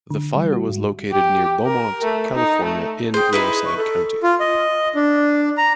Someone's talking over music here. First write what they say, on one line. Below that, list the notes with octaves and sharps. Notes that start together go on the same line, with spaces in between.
The fire was located near Beaumont, California in Riverside County.
D3
G3
F#4
G#2
G4
A#4
A3
D#4
A3
G#4 C5 G5
D#4 E4 B4
C#6
A4
F4
D#5
D4
A#5